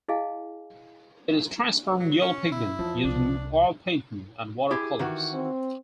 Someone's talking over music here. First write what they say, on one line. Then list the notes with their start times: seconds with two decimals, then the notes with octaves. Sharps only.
It is transparent yellow pigment used in oil painting and watercolors.
0.08 E4 G#4 D#5 F5 G#5
2.00 F#3
2.21 C#4
2.52 E4
2.79 E2 F3
3.04 C2 D4
4.71 E4 G4 G#4
4.99 D#3 E3 F#4
5.34 C4